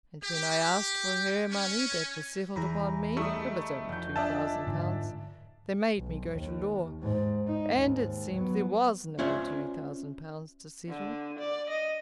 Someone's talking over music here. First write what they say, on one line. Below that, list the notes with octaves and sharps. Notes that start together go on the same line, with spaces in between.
And when I asked for her money that was settled upon me,--it was only two thousand pounds,--they made me go to law, and it seems there was no two thousand pounds to settle.
G4
C#4
E2 G#4 A#5 B5
G3 A3 D#5 E5
F1 G6
D4 D#5 E5 G#5 A5
G#2 D3 D#3
B1
D#2
G#2
D#4
D#2 G#2
F#3 B3
C#4 F4 C5 D5 E5
D3
D5
D#5